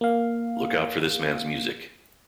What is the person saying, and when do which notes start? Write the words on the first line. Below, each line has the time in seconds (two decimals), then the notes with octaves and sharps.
Look out for this man's music'.
0.01 A#3 F5